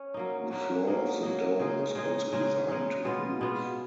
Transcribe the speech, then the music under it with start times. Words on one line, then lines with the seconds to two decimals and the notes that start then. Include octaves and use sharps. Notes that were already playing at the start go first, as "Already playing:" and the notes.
The floor of the dome was also designed to move.
Already playing: C#4
0.14 F#3 A#3 D#4
0.51 F#3 A#3 D#4
0.87 F#3 A#3 D#4
1.23 F#3 A#3 D#4
1.59 C#3 G#3 D#4 G#4
1.95 C#3 G#3 D#4 G#4
2.33 C#3 G#3 D#4 G#4
2.68 C#3 G#3 D#4 G#4
3.04 B2 G#3 B3 F4
3.41 B2 G#3 B3 F4